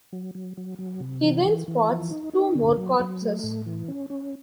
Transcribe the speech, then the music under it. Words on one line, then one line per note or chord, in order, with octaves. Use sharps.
He then spots two more corpses.
F#3
F#3
F#3
F#3
C3
E3
E3
E3
F3
D#4
D#4
D3
F#3
F#3
A3
A2
E3
C#4
C#4